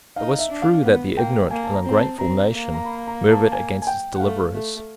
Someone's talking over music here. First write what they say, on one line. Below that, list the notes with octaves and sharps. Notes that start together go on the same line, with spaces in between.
It was true that the ignorant and ungrateful nation murmured against its deliverers.
D#4 F5
E5
D4
F5
B3 F#5
A#3 G5
A#3 G#5
A5
A#5
C4 A#5
A5
C4 A#5
A#3
A#5
B5
A#5
A5
G#5
G#5
G5
F#5
A3 F5
A3